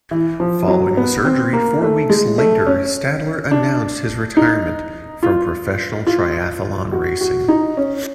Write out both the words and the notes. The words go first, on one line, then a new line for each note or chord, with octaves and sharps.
Following the surgery, four weeks later, Stadler announced his retirement from professional triathlon racing.
E3
F3
F#3
B3
C4
A#3
A3
G#3
A3
C#4
D4
D#4
F4
F4
F#4
F#4
D#4
C#4